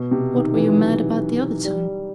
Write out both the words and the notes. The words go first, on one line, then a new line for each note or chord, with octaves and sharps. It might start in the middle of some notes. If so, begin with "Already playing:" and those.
"What were you mad about the other time?"
Already playing: B2
C3
D#3
E3
F#3
G3